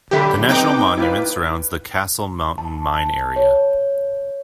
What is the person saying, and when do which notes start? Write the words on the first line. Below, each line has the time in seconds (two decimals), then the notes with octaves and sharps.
The national monument surrounds the Castle Mountain Mine Area.
0.11 B1 D3 G4 E5 B5
0.49 C4 D#4 B4 G5 D6
0.98 E4 F4 B4
2.58 A5
3.36 C#5